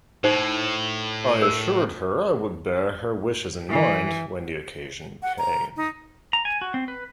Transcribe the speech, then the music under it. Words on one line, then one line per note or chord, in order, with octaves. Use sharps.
I assured her I would bear her wishes in mind when the occasion came.
A2 D#4 C5
A#4
E3
F#5
A#5
D#4
A#5
G#5
F#4
C4
B4